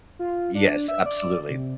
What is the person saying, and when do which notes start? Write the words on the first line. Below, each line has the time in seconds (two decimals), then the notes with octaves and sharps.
Yes, absolutely.
0.19 F4
0.55 D4
0.88 E5
1.06 D5
1.50 C3